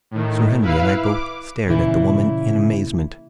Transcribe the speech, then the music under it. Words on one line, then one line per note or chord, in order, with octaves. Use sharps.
Sir Henry and I both stared at the woman in amazement.
A2 D#3
E4 B4 F5
D6
A#2 C#3 E3 E4